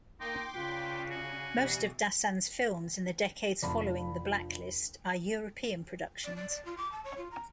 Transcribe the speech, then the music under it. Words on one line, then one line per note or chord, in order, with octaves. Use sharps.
Most of Dassin's films in the decades following the blacklist are European productions.
A#3 D#4 G5 C6 D6
C#3 D4 F4 B4
F#4 G#5
B2 E3 G3
F1 D4 F4 B5
D5
D5
D5
F4
D6
A5
C#5
F4
A#5